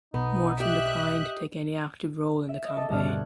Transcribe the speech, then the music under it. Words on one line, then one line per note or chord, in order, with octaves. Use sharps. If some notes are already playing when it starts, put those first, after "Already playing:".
Morton declined to take any active role in the campaign.
B1 B2 B3 D#4
G4 D#5 E5 F#6
E5
D#5 E5
A4 D#5 D6 D#6
D2 G2 B2 A4 D5 F6
F#6 G#6